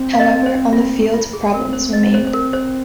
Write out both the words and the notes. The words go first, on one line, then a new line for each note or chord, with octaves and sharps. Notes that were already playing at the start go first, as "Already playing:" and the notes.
However, on the field problems remained.
Already playing: C4
F5
D#5
C5
F4
F4
G#4
C4 A#4
C5
D#5
C5
C5
A#4
C5